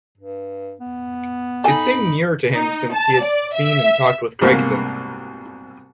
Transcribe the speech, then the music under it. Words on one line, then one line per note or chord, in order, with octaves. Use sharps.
It seemed nearer to him since he had seen and talked with Gregson.
G2
B3
D#4 A4 G#5 B5
D#4
A5
D5
E5
C2 G#2 B2 A#3 F#4